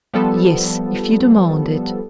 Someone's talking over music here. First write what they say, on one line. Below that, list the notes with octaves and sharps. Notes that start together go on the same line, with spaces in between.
"Yes, if you demand it."
F3 G3 B3 A4